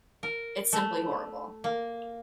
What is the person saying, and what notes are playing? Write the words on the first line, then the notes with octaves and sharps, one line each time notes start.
It’s simply horrible.
A#4
A3
A#3